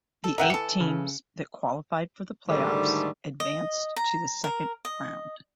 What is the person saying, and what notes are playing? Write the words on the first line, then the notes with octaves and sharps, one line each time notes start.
The eight teams that qualified for the playoffs advanced to the second round.
A4
C#3 F#3 A#4 E5 F#5 G5
E3 A4 C#7
C#3
G#2 D3 D#3 G3 A3
D#5
A#5
A#4
D#5